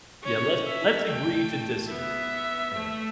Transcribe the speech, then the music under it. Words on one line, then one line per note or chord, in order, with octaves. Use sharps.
Yeah, let's let's agree to disagree, an
C#4 C#5
E5
A3 G5
B3 E5
A3